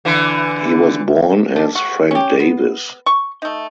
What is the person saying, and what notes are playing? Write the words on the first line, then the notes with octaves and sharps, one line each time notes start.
He was born as Frank Davis.
D3 E3
D4
F#4
C#4 G4
B3
C#6
A3 D#4